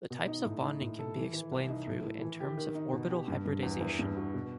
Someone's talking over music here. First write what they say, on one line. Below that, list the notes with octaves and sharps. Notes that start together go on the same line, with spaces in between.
The types of bonding can be explained through in terms of orbital hybridization.
B2
D#4
A2
D#4
A2
A4
E3
E3
C2
D#4
A2
E4
E3
G4
D#3
D#4
B2
G4
G2
G2
E2
E2
G2
F#4
B2